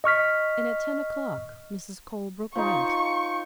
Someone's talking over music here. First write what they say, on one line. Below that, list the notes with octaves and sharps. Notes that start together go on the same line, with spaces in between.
And at ten o'clock Mrs. Colebrook went.
D#5 C#6 F6 B6
F3 D#4 C#6